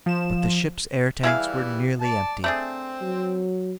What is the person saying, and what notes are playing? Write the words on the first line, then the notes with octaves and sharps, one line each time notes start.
But the ship's air tanks were nearly empty.
F3 E7
E3 G3 E4 G#4 F5
D5 A5
A3 C4 D4 G#4
F#3